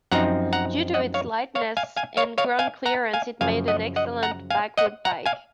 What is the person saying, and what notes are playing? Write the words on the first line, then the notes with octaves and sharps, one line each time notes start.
Due to its lightness and ground clearance it made an excellent backwoods bike.
F#2 F3 C4 D#4 F#5 A#5
F#5 A#5
D#5 F#5
C#5 F5
C#5 F5
F5 G#5
F5 G#5
C#5 F5
C#5 F5
F5 G#5
F#5 A#5
F5 G#5
F#2 C#3 F3 F5 G#5
D#5 F#5
D#5 F#5
F#5 A#5
F5 G#5
D#5 F#5
F#5 A#5
F5 G#5